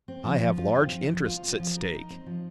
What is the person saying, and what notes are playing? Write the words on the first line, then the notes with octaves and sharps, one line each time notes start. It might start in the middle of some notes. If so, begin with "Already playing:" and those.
I have large interests at stake.
C4
F3
F3
F4
C4
F3
F3
F4
C4
F3
A#4
D#4
C4
F3